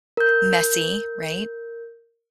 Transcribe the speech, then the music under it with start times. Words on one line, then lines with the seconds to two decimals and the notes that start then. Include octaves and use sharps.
messy, right?
0.17 A#4 G6